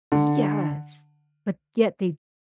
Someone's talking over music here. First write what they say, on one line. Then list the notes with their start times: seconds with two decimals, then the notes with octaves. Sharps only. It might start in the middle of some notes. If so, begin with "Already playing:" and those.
Yes, but yet they
0.12 D3